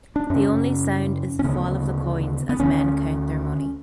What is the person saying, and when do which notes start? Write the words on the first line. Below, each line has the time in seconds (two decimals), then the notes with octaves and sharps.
The only sound is "the fall of the coins" as men count their money.
0.16 D4
0.30 F#2 C#3 C#4
1.39 C#4
1.44 D2 C#3 B3
2.49 B3
2.60 D2 D3 C#4